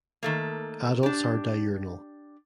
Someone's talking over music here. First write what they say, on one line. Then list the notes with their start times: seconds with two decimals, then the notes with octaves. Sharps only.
Adults are diurnal.
0.23 D#3 A3 A#3
1.03 D4 G4